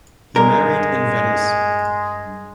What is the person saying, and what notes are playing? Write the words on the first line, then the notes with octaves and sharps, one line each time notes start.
He married in Venice.
G2 G#3 A#4